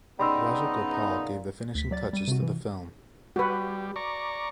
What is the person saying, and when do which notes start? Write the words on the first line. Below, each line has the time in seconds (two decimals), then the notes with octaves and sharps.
Rajagopal gave the finishing touches to the film.
0.19 C#3 G3 B3 D#4 B5 C6 E6
1.08 A#2
1.75 D2 B6
1.91 F#3 D5 A6
2.13 G3 D#7
2.28 C3 F#4
2.43 E3
3.36 G3 F#4 B4
3.96 D5 A#5 C#6